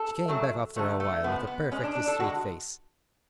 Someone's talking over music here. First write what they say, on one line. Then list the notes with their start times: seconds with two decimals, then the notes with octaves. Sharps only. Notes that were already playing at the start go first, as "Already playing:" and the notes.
She came back after a while, with a perfectly straight face.
Already playing: A4
0.28 C#3 F#3 A3
0.76 D3 F#3 A3
1.00 A3
1.24 C#3 F3 G#3 B3
1.47 B3
1.72 B2 G#3 C#4
1.83 D4
1.95 D4
2.08 A4
2.20 D3 G#3 F#4